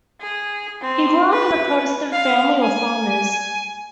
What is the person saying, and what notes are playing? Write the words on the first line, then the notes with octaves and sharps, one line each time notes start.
He grew up in a Protestant family of farmers.
G#4
C4
B4
F5
G#5